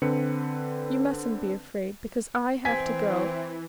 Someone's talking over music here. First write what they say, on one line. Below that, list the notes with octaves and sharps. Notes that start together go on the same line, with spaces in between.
You mustn't be afraid, because I have to go.
D3 C4 B4 C#7
E3 C4 G#5 G#6 B6